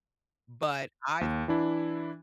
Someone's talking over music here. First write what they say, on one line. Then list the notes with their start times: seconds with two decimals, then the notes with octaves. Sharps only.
But I
1.21 D#2
1.48 E3 D4 E4